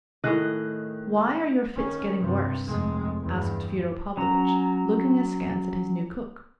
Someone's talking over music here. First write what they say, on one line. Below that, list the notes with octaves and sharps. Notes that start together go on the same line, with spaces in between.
"Why are your fits getting worse?" asked Fyodor Pavlovitch, looking askance at his new cook.
A2 D#3 G#4 D#5 F#6
D#3 C#4
G2 C3
F1 G#3
E2 G2
F#3 C#4 A#5